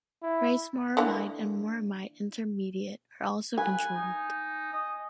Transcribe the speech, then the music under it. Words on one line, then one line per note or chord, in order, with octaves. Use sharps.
Racemoramide and moramide intermediate are also controlled.
E4
D3 E3 A#3
B4 G#5
D#4
D#5